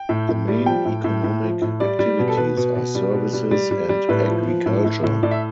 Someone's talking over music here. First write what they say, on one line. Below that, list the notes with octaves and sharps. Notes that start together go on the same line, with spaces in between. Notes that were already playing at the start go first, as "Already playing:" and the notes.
The main economic activities are services, and agriculture.
Already playing: G5
A2
A2
G3
F3 G5
A2
A2
A2
F3
A2
G3 D5
G3
B2
A4
B2 B4
B2
B2
G3
B2
G3
G3
G3
G3
A2 B4
F3
F3
A2
A2
A2
A2 D5
E5